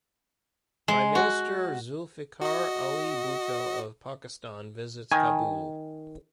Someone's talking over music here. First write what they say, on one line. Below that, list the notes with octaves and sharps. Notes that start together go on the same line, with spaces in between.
Prime Minister Zulfikar Ali Bhutto of Pakistan visits Kabul.
G#3
F#4
F#4 D#5
D#3 G#5